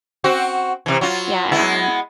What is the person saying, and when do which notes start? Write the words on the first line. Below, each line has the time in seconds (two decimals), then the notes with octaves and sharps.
yeah, um
0.24 C4 F#4
0.86 C3 E3
1.01 F#3 F4
1.52 G#3 B3 E4